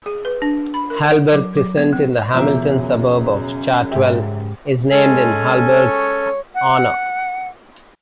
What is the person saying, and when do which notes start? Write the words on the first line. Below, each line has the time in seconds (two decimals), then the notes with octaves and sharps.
Halberg Crescent, in the Hamilton suburb of Chartwell, is named in Halberg's honour.
0.06 G#4
0.25 B4
0.42 D4
0.74 B5
0.90 A#4
1.10 F#5
1.32 F#3
1.57 F#3
1.77 B3
1.93 C4
2.34 E1 F#2 C#3 F3 D5 E5 A#5
3.91 G#2 G4 E5
4.90 G#3 C#4 A4 G#5
5.78 C#5
6.55 F#5